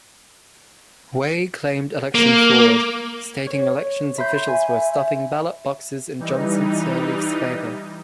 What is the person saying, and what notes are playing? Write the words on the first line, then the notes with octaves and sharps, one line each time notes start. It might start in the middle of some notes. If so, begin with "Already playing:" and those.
Weah claimed election fraud, stating elections officials were stuffing ballot boxes in Johnson-Sirleaf's favor.
A#3
C#5
E5 B5 C6 G6
G#5
E3 G3 D#4